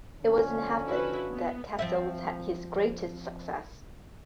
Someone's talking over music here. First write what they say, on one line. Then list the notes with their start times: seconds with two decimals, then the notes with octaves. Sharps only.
It was in Hartford that Cassels had his greatest success.
0.22 D3 F3 C#4
0.85 E4 F#4 B4
1.34 B3
1.79 F3 C4 E5